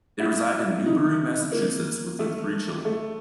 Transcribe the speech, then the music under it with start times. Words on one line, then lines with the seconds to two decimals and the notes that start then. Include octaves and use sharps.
They reside in Newbury, Massachusetts with their three children.
0.20 E4
0.86 D#4
1.52 A#3
2.19 A3
2.85 A3